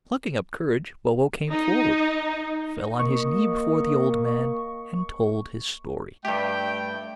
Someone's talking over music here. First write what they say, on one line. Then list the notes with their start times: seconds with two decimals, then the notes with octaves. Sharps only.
Plucking up courage, Bobo came forward, fell on his knee before the old man, and told his story.
1.50 D#4
2.99 A#3 D#5 C#6
6.25 G2 A3 G4 G5